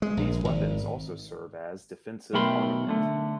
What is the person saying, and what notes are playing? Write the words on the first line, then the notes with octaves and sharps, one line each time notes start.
These weapons also serve as defensive armament.
G#3
A#1
G#1
B1 A3 A#4 G5 B5 C6
D3 A3